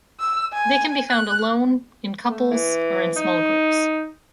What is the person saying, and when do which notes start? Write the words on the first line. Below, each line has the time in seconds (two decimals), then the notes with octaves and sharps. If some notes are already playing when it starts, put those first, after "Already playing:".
They can be found alone, in couples or in small groups.
0.20 E6
0.53 G#5
1.10 F#6
2.29 A3
2.51 E3
3.17 D#4